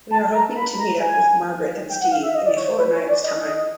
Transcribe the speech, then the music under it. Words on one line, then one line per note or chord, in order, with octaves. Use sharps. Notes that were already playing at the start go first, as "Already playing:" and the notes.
We are hoping to meet up with Margaret and Steve in a fortnight's time.
A5
A#5
B5
A#5
G#5
G5
F#5
F5
E5
D#5
D5
C#5
C5
B4
C#5
D5
D#5
D#5